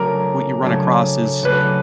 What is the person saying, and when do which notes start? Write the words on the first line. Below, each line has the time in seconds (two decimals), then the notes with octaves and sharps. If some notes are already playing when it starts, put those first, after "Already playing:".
what you run across is
Already playing: C#3 F#3 A3 D4 A#4
0.62 C#3 F#3 A3 D4
1.43 C#3 F#3 A3 D4 B4